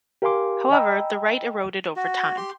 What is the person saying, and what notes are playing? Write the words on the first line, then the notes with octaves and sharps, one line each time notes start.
However, the right eroded over time.
G4 A#4 F5 G#5 C6 D6
D#5 G5 G#5 A#5 B5 E6
F#4
G4 C6